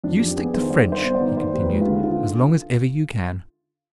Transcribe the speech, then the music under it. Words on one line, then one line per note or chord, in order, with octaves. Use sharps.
You stick to French," he continued, "as long as ever you can.
F2 D4
F2 G4
B3 G#4
D#3 C5
G2 D5
G2
C5
B3
D5
D#3
D#2 C5
D#2
B4
G#3
F4
D3
F4